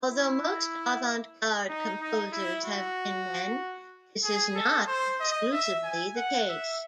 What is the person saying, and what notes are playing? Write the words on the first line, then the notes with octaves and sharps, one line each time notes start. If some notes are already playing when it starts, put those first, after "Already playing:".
Although most avant-garde composers have been men, this is not exclusively the case.
E4
D#4
D#4
E4
F#4
G#4
A4
C5
D#5
E5
G#5
F#5
E5